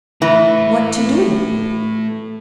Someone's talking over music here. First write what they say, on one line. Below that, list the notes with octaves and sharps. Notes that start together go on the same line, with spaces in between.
"What to do?"
A2 E3